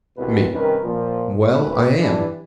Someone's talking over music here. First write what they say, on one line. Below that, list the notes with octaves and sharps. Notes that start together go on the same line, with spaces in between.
ME: Well, I am.
C2 B2 B4
G2 C3 D#3 C#4 A#4 B4
A#2 F3
B1 G#2 C#3 A3 B4
E3 D4 G4